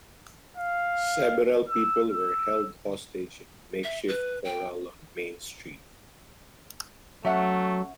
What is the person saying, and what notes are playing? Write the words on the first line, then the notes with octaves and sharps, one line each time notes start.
Several people were held hostage in a makeshift corral on Main street.
F5
E6
E6
E5
B4
G5
F#3 A3 C#4 E5 F#5